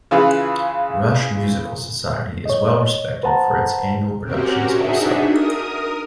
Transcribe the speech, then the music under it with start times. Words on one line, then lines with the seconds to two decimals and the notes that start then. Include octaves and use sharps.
Rush Musical Society is well respected for its annual productions also.
0.11 C#3 E3 F4 G#4 B4
2.46 C#5 D#5
3.23 B4 C5 F#5 A5 A#5
4.24 C4 C#4 F#4 G4 A#4
4.71 D4 D#4 F#4 G#4 E5
5.24 A#4 D#6